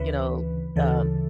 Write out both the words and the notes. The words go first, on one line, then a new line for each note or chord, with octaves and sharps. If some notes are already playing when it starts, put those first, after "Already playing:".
you know, um,
Already playing: D2 C#3 E3 B4
D2 C#3 E3 A4